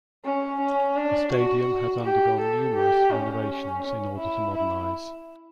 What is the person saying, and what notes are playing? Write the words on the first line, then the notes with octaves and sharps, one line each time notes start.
The stadium has undergone numerous renovations in order to modernize.
C#4
C#4
D4
F#4
G4
A4
G4
C#4
C#4
E4
E4